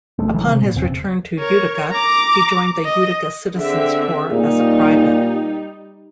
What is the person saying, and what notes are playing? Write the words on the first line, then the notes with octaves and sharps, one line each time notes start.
Upon his return to Utica, he joined the Utica Citizen's Corps as a private.
G#1 G#2 G#3 A3
D#3 E3 F#3 G#3
C3
A#2
E1 E2 C#3 C4
A#4 C#5
A#5 D6
D#5
D3 C4 G#4 E5
A#2 G3 D#4